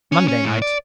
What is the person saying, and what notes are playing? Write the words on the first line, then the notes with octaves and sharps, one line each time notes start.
Monday night?
C#4
C#4
A2
D5